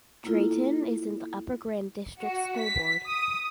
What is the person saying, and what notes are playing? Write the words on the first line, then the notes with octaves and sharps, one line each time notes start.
Drayton is in the Upper Grand District School Board.
A#3 E4 F4 A4
F#4
B6
D#6